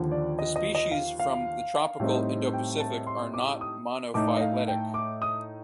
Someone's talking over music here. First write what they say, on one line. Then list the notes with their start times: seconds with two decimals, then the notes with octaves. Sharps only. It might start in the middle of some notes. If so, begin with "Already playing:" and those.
The species from the tropical Indo-Pacific are not monophyletic.
Already playing: D#2 D3 F3
0.11 D5
0.39 D#5
0.56 D#5
0.75 D#5
0.91 F5
1.19 F5
2.00 A2 G3 C4 D#4
2.53 G5
2.80 A5
3.07 C6
3.34 D6
3.61 D#6
4.14 A2 A3 D#4 D6
4.37 D#5
4.41 F5
4.68 G5
4.94 D6
5.22 D#6